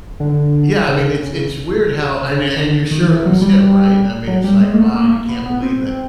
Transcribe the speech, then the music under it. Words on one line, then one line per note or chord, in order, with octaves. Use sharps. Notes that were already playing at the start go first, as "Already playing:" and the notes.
yeah, I mean, it's it's weird how and and you're sure it was him, right? I mean, it's like, wow, you can't believe it,
D3
C#3
C#3
C#3
D3
D#3
F3
E3
F#3
G3
F#3
G3
G#3
A#3
A3
A#3
A3
A#3
B3
B3
C4